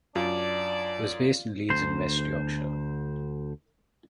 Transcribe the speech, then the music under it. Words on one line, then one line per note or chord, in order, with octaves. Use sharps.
It was based in Leeds in West Yorkshire.
F#2 D4 F4 D5
D2 C5